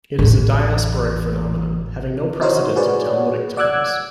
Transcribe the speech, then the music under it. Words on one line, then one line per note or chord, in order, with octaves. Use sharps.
It is a diasporic phenomenon, having no precedent in Talmudic times.
A1 E2
D#4 E4 F#4 A#4 C5 C#5
F#4 G#4 B4 C#5 D5
D5 F#5 D6 E6 F#6 G#6